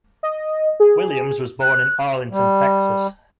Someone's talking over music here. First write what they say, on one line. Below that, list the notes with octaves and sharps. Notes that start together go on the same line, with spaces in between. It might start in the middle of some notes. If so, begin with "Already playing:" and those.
Williams was born in Arlington, Texas.
D#5
G#4
F#6
G3